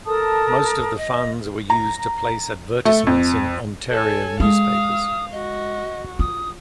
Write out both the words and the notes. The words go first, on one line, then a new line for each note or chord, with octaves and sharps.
Most of the funds were used to place advertisements in Ontario newspapers.
A4 A#4 A5 D#6
D#5
A#5
A3
F2
A4 C#5 G#5
G#3 F5 D#6
F#4 D#5
F4 D#6